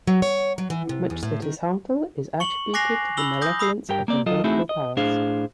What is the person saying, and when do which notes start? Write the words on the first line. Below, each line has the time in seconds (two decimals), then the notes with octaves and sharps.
Much that is harmful is attributed to the malevolence of invisible powers.
0.07 F#3
0.22 C#5
0.58 F#3
0.70 E3
0.89 C3
1.10 E2
1.23 A2
1.42 D#3
2.40 C#6 C#7 F#7
2.74 G#5 D6 F#6 A#6 C7 F7
3.17 B5 E6 F#7 G7
3.41 D#6 G6 A#6
3.59 B5 D#6 E6 C7
3.89 G2 G4 A#4 G5
4.08 A#3 C4 D5
4.26 F#3 F4 A4 D#5
4.44 A3 C4 D#4 E4 F#4 G#4
4.69 D#5
4.97 A2 D4 G#4 C5 F5